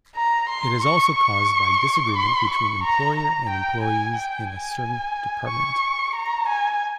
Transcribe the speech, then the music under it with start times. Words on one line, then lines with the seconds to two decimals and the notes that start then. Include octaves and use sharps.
It is also caused by disagreement between employer and employees in a certain department.
0.16 A#5
0.49 C6
0.84 C#6
1.17 C#6
2.16 C6
2.50 C#6
2.83 A#5
3.16 A#5
3.49 G5
3.83 G#5
4.16 G5
4.49 G#5
5.49 C#6
6.16 A#5
6.49 G#5